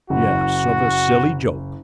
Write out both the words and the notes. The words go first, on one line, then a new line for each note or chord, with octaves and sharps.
"Yes, of a silly joke."
F#1 F#4